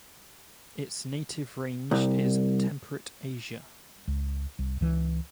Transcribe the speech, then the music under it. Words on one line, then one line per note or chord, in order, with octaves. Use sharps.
Its native range is temperate Asia.
C2
C#2
C2
C#2 E3